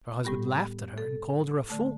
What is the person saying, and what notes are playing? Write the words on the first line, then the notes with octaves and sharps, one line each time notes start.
Her husband laughed at her, and called her a fool.
A2 G3 B3 G4
A4
D3 A3